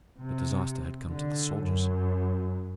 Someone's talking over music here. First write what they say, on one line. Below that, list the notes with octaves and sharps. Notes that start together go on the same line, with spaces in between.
But disaster had come to the soldiers.
C3
D3
F#2